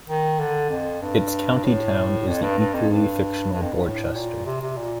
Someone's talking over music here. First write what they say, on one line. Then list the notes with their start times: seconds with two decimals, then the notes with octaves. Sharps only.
Its county town is the equally fictional Borchester.
0.08 D#3
0.39 D3
0.70 F2
1.02 G2
1.64 A2
2.27 F2
2.42 G2
2.59 G2
2.74 F2
2.90 G2
3.52 G2
3.62 F2
3.73 G2
3.84 A2
4.16 A#2
4.46 C3
4.61 C3
4.77 A#2